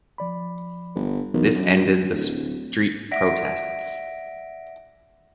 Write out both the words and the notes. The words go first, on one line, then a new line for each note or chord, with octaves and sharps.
This ended the street protests.
F3 D5 B5
G1
B1 E3 A#4
F#2 F#3 D4
D1
D5 E5 F#5 A#6 B6 D7